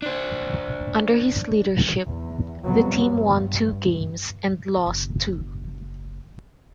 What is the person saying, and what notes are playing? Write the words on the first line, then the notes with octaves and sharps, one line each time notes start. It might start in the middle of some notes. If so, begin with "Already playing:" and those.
Under his leadership, the team won two games and lost two.
D4 C5
E2
F2 C3 F#3 G3 B3
G2
F#1 C#3